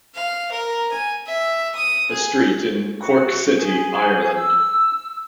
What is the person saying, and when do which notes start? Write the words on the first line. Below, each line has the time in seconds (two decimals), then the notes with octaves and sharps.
A street in Cork City, Ireland.
0.15 F5
0.51 A#4
0.91 G#5
1.26 E5
1.75 D#6
2.11 G#4
2.96 F#4
3.53 G#4
4.34 E6